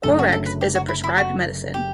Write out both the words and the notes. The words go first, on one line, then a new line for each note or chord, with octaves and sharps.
Corex is a prescribed medicine.
F#1 F#2 D3 F#3 A3 A4
F#4
A4
B4
G4
F#4
E4
E4
F#4
G4